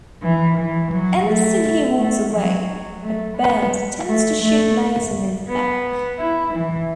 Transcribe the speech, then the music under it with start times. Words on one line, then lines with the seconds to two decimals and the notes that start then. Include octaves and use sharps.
Instead he walks away, but Burns attempts to shoot Mason in the back.
0.22 E3
0.58 E3
0.92 F#3
1.27 A3
1.98 A3
2.33 F#3
3.03 A3
3.38 B3
4.08 A3
4.42 A3
5.48 B3
6.18 E4
6.54 E3